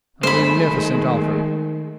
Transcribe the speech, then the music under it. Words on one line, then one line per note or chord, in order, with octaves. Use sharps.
"A munificent offer."
G1 G#3 A3 C5 B5
D#3